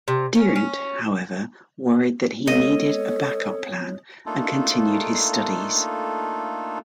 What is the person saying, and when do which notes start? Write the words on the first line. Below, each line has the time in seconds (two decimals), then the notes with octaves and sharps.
Dirnt, however, worried that he needed a backup plan and continued his studies.
0.08 C3
0.35 C#4
0.56 C#4
2.47 G#3 B3 C4 A4 C#5 D#5
4.26 A3 A#3 D4 D#4 F4 A4